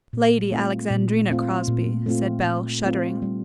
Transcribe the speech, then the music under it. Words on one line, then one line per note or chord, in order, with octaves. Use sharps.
"Lady Alexandrina Crosbie," said Bell, shuddering.
A#2
A3 C4 F4
A#2
A3 C4 F4
A#2
A3 C4 F4
A#2
A3 C4 F4
G3